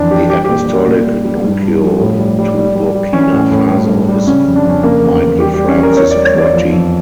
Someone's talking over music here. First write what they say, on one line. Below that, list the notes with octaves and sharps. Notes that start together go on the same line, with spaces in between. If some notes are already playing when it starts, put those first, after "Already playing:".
The Apostolic Nuncio to Burkina Faso is Michael Francis Crotty.
Already playing: F2 E3 D4
E3 G4
G3 G4
G4
A#2
G3
A#2
G3
G3
G2
G2
F3
A2
G3
G3
G3
G3
G3
E3 C#4
A2
A2
G2
G2
G3
C#3 C#4
F2
D4
F2 C#4
C#3 A#3
E2
E2
G3 G4
G4
G3
C#4
E3
A#4
E2 C#5
D5
G3
C#5
E2 D5
F3
F2